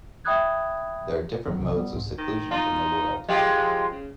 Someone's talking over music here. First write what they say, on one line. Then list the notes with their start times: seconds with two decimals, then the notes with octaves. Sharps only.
There are different modes of seclusion from the world.
0.25 E5 G5 B5 D#6 F#6 G#6
1.48 G2 D#3 F#3
1.60 B1 F#2 C3 E3
1.76 G3 B3
1.93 C2 G#2
2.18 D#3
2.51 D#4 F4
3.29 F3 G#3 F4 G4
3.57 F3
3.92 C#3